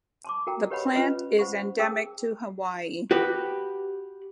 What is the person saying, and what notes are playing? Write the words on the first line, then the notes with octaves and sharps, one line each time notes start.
The plant is endemic to Hawaii.
A5 C6 D6
F#4 A4 A#4 G5 A#5
G4 B4 C#5 D#5 F#5 B5
C#4 F4 B4 D#5 B5
C5 F#5 B5 C#6
G#4 A#4 G5 A5 D#6 E6
F#4 G4 B4